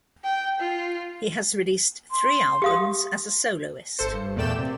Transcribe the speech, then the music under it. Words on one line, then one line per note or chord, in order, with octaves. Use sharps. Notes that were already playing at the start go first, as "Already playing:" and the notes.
He has released three albums as a soloist.
G5
F4
C6
G4 F5 D#6
G1 A4 C5 C#7
G2
E2 A#2 A3 D5 G5 E7
C3